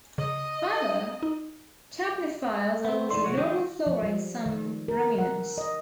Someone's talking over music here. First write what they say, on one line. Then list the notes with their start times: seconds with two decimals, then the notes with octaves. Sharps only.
However, capnophiles are also normal flora in some ruminants.
0.18 C#3 D#5
1.23 D#4
2.85 B3 C4
3.10 E2 E3 F3 D#4 D5 C6
3.24 C2 F3 F#4 C#5
3.37 D#3 F3 G3 D#4 G4 G#4
3.87 F3
4.03 G3
4.46 D#3
4.88 A#4
5.18 F#5
5.58 D#5